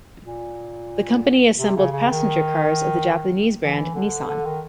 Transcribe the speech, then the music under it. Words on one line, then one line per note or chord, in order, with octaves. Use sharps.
The company assembled passenger cars of the Japanese brand Nissan.
A#2
C3
C#3
C#3
D#3
E3
D3
D3
D#3